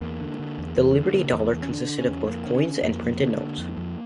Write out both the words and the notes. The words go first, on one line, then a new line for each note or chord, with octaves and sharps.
The Liberty Dollar consisted of both coins and printed notes.
E2 A#3
D3
D3
E2
E2
D3
D3 A#3
E2
E2
C#4
D3 D4
D3
C#4
E2
F2 A#3
D3
C#4
D3
F2 A#3
F2
D3
D3
F2
F2